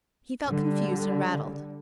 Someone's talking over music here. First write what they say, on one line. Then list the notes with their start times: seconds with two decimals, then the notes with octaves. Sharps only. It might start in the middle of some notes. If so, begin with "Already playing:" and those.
He felt confused and rattled.
0.46 D3 G3